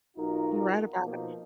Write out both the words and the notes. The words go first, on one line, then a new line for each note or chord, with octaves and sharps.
You're right about it.
B1 D#4 F4 F#4 A#4
B2 F3 A#3 D#4